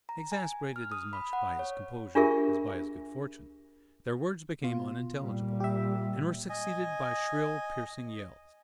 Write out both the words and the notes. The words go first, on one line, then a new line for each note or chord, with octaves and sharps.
Exasperated as much by his composure as by his good-fortune, their words became unintelligible, and were succeeded by shrill, piercing yells.
A#5
G#5
F6
D#6
B5
F#5
C#5
D4 F4 G4 G#4 A#4 E5
B2 F4
A#2 G3
G4 E5
D#5 G#5